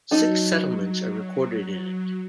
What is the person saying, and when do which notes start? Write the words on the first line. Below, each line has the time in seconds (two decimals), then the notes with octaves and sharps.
Six settlements are recorded in it.
0.11 F#3 D#4 A4